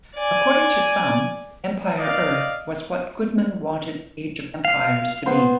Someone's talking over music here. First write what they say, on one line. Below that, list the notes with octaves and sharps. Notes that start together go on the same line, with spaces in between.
According to some, "Empire Earth" was what Goodman wanted "Age of Empires" to be.
D5 G#5
D5 D#5 F5
F5
B3 C5